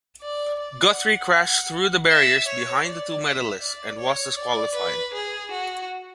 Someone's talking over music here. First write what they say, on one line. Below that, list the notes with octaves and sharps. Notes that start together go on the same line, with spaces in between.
Guthrie crashed through the barriers behind the two medalists and was disqualified.
D5
D5
F#5
E5
C#5
D5
E5
D5
C#5
D5
B4
G#4
F#4